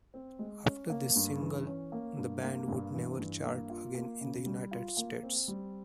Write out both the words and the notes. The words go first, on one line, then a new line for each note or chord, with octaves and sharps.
After this single, the band would never chart again in the United States.
C4
G#3
C#4
A#3
G2
E3
C#4
A#3
G2
A#3
G2
E3
G2
A#3
F4
A#3
C#3
G3
F4
A#3
C4
G3